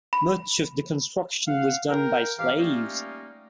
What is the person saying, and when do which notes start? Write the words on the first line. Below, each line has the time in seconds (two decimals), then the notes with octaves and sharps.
Much of the construction was done by slaves.
0.13 B5
1.47 F5 F#5
1.90 A#4 G5
2.38 G#2 E3 G4 F5
2.58 G3 A3 A#3 C#4 D#4 F4